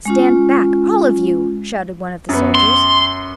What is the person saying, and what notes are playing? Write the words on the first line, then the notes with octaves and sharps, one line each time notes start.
"Stand back, all of you!" shouted one of the soldiers.
G#3 C#4 F4
F#2 B3
C6